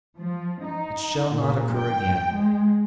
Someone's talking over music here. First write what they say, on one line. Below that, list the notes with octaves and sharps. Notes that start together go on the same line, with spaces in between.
'It shall not occur again.
F3
D#4
A#2
G5
G#3